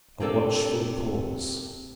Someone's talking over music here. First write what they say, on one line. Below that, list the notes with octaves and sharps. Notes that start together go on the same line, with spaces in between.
A watchful pause.
C3 A#3 C4 D4 A4